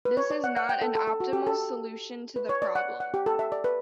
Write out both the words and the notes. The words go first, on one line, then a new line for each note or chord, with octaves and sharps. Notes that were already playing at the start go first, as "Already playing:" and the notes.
This is not an optimal solution to the problem.
B4
C#5
D5
F#5
F#5
G5
A4
A4
A4
F#4
G4
A4
B4
C#5
D5
F#5
F#5
G4
A4
E5
D5
B4